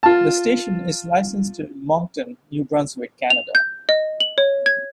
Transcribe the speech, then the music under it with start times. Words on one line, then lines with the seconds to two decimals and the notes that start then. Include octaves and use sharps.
The station is licensed to Moncton, New Brunswick, Canada.
0.03 F4 A5
3.30 F7
3.55 G6
3.89 D#5
4.20 F#7
4.38 C#5
4.66 G#6